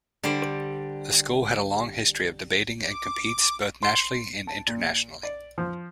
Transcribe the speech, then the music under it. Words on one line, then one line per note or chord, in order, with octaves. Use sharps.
The school had a long history of debating and competes both nationally and internationally.
D3 G3 G4 C5 D5
D6
C6
A5
A#2
D5
F3